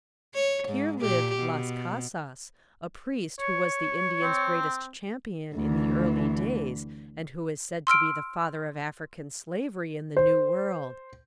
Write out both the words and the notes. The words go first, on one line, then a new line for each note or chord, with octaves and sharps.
Here lived Las Casas, a priest who was the Indian's greatest champion in the early days and who is said to be the father of African Slavery in the new world.
C#5
G#2
A#2 G4
B2
C#5
C4
D2 E3
C6 E6 F6 D7
C5